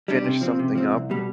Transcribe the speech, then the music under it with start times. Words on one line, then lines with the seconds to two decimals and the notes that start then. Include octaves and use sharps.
finish something up
0.08 G3 D4
0.24 C3
0.41 F3 C4
0.59 C3
0.75 F3 C4
0.92 C2
1.10 B2 G3